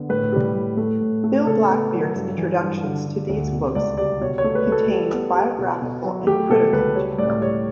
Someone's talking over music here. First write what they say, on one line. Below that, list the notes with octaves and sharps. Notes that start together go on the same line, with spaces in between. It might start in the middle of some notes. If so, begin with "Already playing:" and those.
Bill Blackbeard's introductions to these books contain biographical and critical material.
Already playing: D3 B3
A2 B4
G3
A2
A3
A2
A3
C#3 A4
B3
F#3
G2
E3
G2
D3
D3
D2
B2
C#2 D5
G3 D5
B2 C#5
C#5
A3
B4
A3
A4
G3
B3
G3
B2
B2
F#3
A3 G4
B2 A4
C#2 B4
G3 C#5
A2 D5
G3 C#5